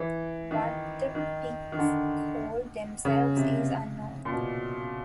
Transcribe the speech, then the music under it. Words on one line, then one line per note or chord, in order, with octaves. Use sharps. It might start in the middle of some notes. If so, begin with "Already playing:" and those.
What the Picts called themselves is unknown.
Already playing: E3
D#3
D#3
D#3
D3
C#3
C3
A#2
B2